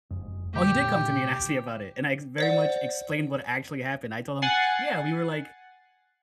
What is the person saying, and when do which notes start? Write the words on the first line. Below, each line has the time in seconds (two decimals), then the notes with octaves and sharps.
Oh, he did come to me and asked me about it, and I very much explained what actually happened. I told him, "Yeah, we were like
0.11 F#1 F2 G#3
0.54 A#2 D3 A3 G4
2.38 C5 D5 F#5
4.42 F#5 G#5 A6 C7